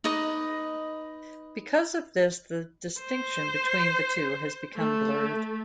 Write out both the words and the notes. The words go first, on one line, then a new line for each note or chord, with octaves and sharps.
Because of this, the distinction between the two has become blurred.
D#4 B4 D#5 D6
C5
A3